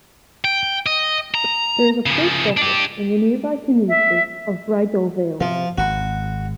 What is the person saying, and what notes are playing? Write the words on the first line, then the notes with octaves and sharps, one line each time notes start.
There is a post office in the nearby community of Bridal Veil.
G5
D#5
A#5
C#3 F3
D4 G4
E5
C3 F3
G#1 F#4